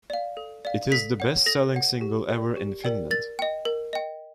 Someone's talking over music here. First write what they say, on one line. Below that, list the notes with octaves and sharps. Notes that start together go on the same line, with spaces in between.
It is the best selling single ever in Finland.
D5 F5
A4
D5 F5
A4 B6
C#5 F#5
A4 A#6
C#5 F#5
G4
A#4 D5 G5
G4
A#4 D5 G5
A#4 A6
D#5 G5
A#4
D#5 G5